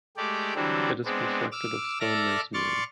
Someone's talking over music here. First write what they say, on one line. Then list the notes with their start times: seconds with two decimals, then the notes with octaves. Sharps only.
It is constructed of stone masonry.
0.17 G#3 A3 G4 D5
0.55 D3 E3 F#3 G3 C4 D4
1.05 G#3 B3 C4 D4
1.52 D6 E6 F6
2.00 A4 D5 E5 D6 F6 A#6
2.54 D5 C6 C#6 F6 A6